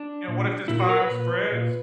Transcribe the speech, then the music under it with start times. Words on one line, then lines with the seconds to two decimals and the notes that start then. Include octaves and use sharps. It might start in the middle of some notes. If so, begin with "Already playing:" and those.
you know, what if this fire spreads
Already playing: D4
0.28 A#2
0.68 A#2 E4
0.79 F#4
0.89 A#4
1.00 B4
1.11 A#2
1.52 A#2